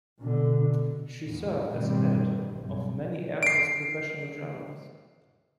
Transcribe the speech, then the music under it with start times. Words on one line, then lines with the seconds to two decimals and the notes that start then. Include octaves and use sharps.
She served as editor of many Air Force professional journals.
0.19 B2 D3
1.21 A1 E2
1.69 A1 G2 B2 D#3 G3 C4
2.52 B1 G2
3.43 C7 D7